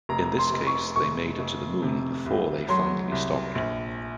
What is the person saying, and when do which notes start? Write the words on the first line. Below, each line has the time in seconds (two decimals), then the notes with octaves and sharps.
In this case, they made it to the Moon before they finally stopped.
0.09 F1 A#5
0.38 C6
0.52 F1
0.67 C#6
0.96 F1 C#6
1.39 F1
1.82 C3
2.26 C2
2.68 F#3 C6
3.12 C2
3.55 A#1